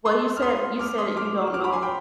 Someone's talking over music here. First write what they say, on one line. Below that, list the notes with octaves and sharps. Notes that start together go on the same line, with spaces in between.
Well, you said you said you don't know
C6 D#6
F6
C6 D#6
D6 F6
C6 D#6
D6 F6
D6 F6
B5 D6
G#5 C6
G5 B5